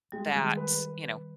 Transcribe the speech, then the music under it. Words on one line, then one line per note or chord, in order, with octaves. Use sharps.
that you know,
G3 G#3
D#3 G#3
B4
B4